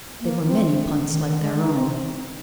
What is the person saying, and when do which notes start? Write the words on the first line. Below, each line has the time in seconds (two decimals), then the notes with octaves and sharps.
There were many punts like their own.
0.21 A#3
0.46 C4
1.07 D#3
1.25 D#3
1.42 G#3
1.59 D#4
1.76 C4